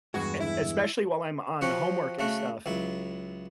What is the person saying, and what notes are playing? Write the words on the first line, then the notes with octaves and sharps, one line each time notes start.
And especially while I'm on homework and stuff
E2 G2 G#3 F#4
E4
F3 F#4 G4 C#5
C#3 A3 F#4
C#2 F#3 E4